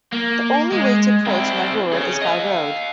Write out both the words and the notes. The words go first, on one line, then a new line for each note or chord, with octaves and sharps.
The only way to approach Mahur is by Road.
A#3
G#3
C4 E4
G#4 C#5
D#5 F5